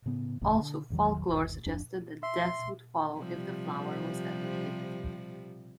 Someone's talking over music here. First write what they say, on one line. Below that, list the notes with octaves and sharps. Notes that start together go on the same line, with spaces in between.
Also, folklore suggested that death would follow if the flower was ever picked.
A2 C#3 B3
F#1 E2 A2 C#3
D3
A1 E2 D#3 F#3
G1 D#2
D1 F2 D4
E5 C6
C3 F3 G3